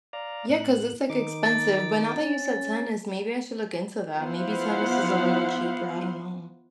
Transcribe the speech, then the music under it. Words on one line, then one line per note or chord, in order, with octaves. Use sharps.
Yeah, 'cause it's like expensive, but now that you said tennis, maybe I should look into that. Maybe tennis is a little cheaper, I don't know.
D5 F5 A#5
A2 F#6
D#3 D#4 D6
A6
C#4
F3 B3 E4 C5 F5 F#5